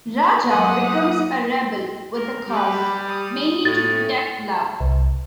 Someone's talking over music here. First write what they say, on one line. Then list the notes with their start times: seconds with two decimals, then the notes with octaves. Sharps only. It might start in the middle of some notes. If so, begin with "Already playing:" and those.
Raja becomes a rebel with a cause, mainly to protect love.
0.50 F#2 A#3 G4 B4 F#5 G5 D#6
2.15 A#4
2.48 G3 G4 B4
3.07 D#6
3.65 A2 A6
4.80 C2